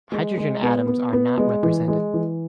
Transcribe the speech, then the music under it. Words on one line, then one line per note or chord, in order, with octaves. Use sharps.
Hydrogen atoms are not represented.
G#3
G#3
B3
B3
B3
G#3
E3
G#3
E3